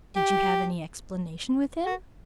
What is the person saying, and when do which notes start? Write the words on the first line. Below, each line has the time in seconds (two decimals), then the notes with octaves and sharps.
'Did you have any explanation with him?
0.16 G4
1.86 F#4